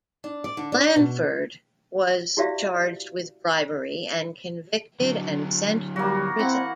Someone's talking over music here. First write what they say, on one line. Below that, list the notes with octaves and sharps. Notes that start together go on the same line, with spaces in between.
Blandford was charged with bribery, and convicted and sent to prison.
D4
D5
D3
D4
B2
E4 F#4 G4 D5 E5 F5
D3 F#3
G3 A#3 F#4
E3 C4 F#5